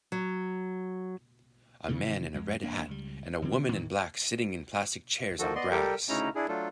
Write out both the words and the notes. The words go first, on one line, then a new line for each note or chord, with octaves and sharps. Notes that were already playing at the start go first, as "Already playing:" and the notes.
A man in a red hat and a woman in black sitting in plastic chairs on grass.
F#3
C3 D#3 E3 A3
F2 G#3
E1 A#3 D4
C#2 G3
E1 D3 C4
A2 D#3 E3
D#3 F3 F#4 A4
B3 D5 D#5 C6
G3 G4 A4 A#4
D2 C#3 C#4 D#4 E4 A#5
D4 E4 G#4
F#3 A3 D4 F4 A4